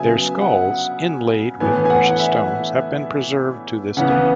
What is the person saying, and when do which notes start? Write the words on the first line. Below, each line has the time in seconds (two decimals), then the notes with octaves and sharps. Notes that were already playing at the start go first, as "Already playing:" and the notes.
Their skulls, inlaid with precious stones, have been preserved to this day.
Already playing: C#3 F#3 B3 E5 G#5
0.42 F#5
1.60 A2 E3 B3 G#5
1.85 G#5
1.90 F#5
2.08 F#5
2.20 E5
3.97 C#3 E3 B3 F#5